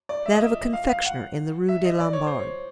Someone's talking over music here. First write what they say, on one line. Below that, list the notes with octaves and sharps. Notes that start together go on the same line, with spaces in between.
"That of a confectioner, in the Rue des Lombards."
D5
E5
D#5
E5
F5
F5
F#5
E5
D#5
D5
C#5
C5
C#5